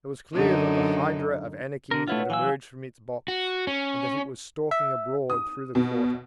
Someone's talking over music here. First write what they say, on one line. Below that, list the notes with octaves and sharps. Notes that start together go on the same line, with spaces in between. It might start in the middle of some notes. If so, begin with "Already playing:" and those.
It was clear that the hydra of anarchy had emerged from its box and that it was stalking abroad through the quarter.
F#2 D3 D#4
D3 D4 A#4
A3 E4 F4 B4 C#5 F#5
E3 F#3 F5 G#5 E6
F#4
C#4
E5
D#6
B2